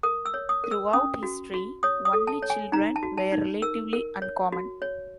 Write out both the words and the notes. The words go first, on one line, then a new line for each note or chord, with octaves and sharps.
Throughout history, only children were relatively uncommon.
A#4 D#6
E6
C#5
D#6
A#4
E6
C#4 D#6
F#4
F#4
C#5 D#6
D#6
A4
A5
C#5
G#5
D#4 A#5
A5
F#4
A5
D#4
A#4 E6
A#4
C#5
F#4
C#5